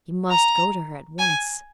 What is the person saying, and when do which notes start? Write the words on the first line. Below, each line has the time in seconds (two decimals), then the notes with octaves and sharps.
He must go to her at once.
0.31 A#5
1.19 G#5